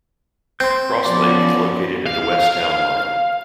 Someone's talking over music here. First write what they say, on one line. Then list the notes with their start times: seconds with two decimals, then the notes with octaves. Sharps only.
Cross Lake is located at the west town line.
0.60 C4 C6 G6
1.04 F3 B3 C#4 D5
2.07 F5